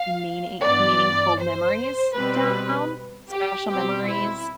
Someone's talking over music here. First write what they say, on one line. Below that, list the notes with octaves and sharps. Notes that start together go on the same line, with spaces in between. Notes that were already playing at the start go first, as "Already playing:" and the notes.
meaning meaningful memories down? Special memories.
Already playing: F5
G2 E3 B3 D5
C5
B2 G3 C4 B4
G4
B2 G3 C4 G4
E4